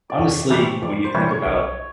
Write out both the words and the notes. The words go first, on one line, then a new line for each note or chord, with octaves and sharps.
honestly, when you think about
D5
F2 C#5
C3 E3 G3
F2 D5
C5
C3 E3 G3 C#5
C#5
B1